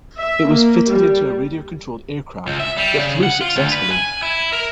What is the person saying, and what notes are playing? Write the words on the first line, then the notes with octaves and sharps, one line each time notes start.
It was fitted into a radio-controlled aircraft that flew successfully.
E5
A#3
G3
C#2
E5
G3
C#3
F#5
F4
D2
B4
G#5
E4
A#4